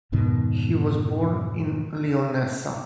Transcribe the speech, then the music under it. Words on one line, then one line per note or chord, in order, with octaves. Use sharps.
He was born in Leonessa.
F2 G#2 B2 D#3